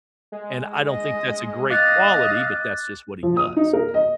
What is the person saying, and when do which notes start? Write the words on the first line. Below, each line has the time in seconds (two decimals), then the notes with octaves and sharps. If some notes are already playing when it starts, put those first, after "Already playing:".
and I don't think that's a great quality, but that's just what he does.
0.32 G#3
0.90 D#5
1.70 D#5 F5 D6 F#6 A6
3.23 F3
3.37 D#6
3.56 D#4
3.73 A#4
3.94 D#5